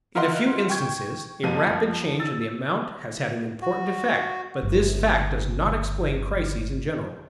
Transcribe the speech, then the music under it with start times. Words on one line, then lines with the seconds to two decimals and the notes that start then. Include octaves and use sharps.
In a few instances a rapid change in the amount has had an important effect, but this fact does not explain crises in general.
0.15 E4 F4 A#4 D#5 F#5 C6
0.70 G5 C#6 G#6
1.43 F#1 F2 F3 A#3 D#7
2.20 E6 A6
3.62 F#4
4.61 G1 C#3